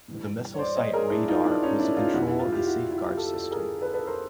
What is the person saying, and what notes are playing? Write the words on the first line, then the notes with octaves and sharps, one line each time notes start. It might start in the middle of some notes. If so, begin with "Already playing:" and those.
The Missile Site Radar was the control of the Safeguard system.
G2 E3
C#5
C5 D5
C#5 D#5
G#4 A#4
D4 E4
D#4 F4
D4 E4
C#4 D#4
D4 E4
D#4 F4
F2 C3 F3 E4 F#4
E4 F#4
F4 G4
F4 G4
E4 F#4
E4 F#4
F4 G4
G4 A4
G4 A4
G#4 A#4
A4 B4
A4 B4
A#4 C5